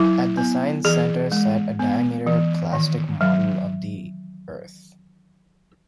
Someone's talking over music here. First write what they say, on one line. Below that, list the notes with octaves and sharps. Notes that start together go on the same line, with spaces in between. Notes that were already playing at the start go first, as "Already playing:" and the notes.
At the sign's center sat a diameter plastic model of the Earth.
Already playing: F#3 E4
B3
E3 G#4
G#3
B3
E3
D#3
F#3